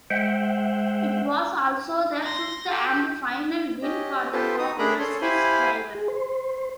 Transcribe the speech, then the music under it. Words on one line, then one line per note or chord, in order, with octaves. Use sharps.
It was also the fifth and final win for the popular Swiss driver.
G#3 C5 E5 F#5 G5
C6 A#6
F#4 G4 A4 G6
C#4 G4 D#5
B3 F4 G4 A4 B4 C5
D#4 F#4 D#6
A3 D4 G#4 A#4 A#5 B5
C#4 A4 C#5 C6
E4 G4 C5 F5 G#5 B5
G#4
C5